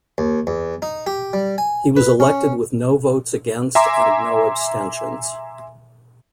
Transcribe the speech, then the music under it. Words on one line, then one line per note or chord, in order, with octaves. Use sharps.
He was elected with no votes against and no abstentions.
D#2
E2
D#4
G4
G3
G#5
B4
C#4
E5 G#5 A#5 C6 D6